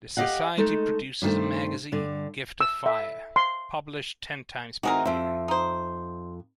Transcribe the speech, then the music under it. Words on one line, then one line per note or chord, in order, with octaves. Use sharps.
The society produces a magazine, "Gift of Fire", published ten times per year.
G4 G#4 D#5 F5 F#5
G#3 A3 D#4 A4
G2 D#3 F#3 A3 C5
G2 D3
E6
E5
C6
E3 C4 D#4 F#4 G#4 A#4
F2 C5 E5
D#4 C5